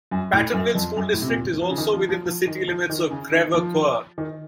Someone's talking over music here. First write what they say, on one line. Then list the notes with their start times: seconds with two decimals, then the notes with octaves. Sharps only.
Pattonville School District is also within the city limits of Creve Coeur.
0.11 F#2
0.33 A2
0.53 F#2
0.75 F2
0.96 F#2
1.13 A2
1.22 C3
1.28 A#2
1.62 F3
1.70 C#3
1.78 D#3
1.93 F3
2.09 F3
2.26 F3
2.47 D#3
2.68 F3
2.90 D#3
3.11 C#3
3.33 D#3
3.54 F3
4.18 D#3